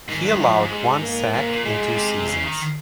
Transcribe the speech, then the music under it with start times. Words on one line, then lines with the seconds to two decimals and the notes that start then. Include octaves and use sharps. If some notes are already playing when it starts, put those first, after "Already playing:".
He allowed one sack in two seasons.
0.08 G#2 D#3
0.24 G2
0.40 G#2 F3
0.50 G2
0.61 G#2
0.71 G#3
1.03 A#3
1.34 G#2 A#3
1.49 A#2
1.65 A#2 G#3
1.76 G#2
1.85 A#2
1.97 C3
2.28 C#3
2.43 D#3